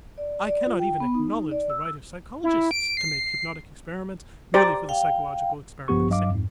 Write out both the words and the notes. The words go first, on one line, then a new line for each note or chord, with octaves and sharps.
I cannot even acknowledge the right of psychologists to make hypnotic experiments merely for the psychological experiment's sake.
D5
D5
F4
G5
B3
D#4
D5
E6
E4
D7
C7
G4 C5 D5 A#5
F5 G5
A#1 G2 F3 B3 G4 C#6
G2 F#3 D#5 F5 D6
F2 G#2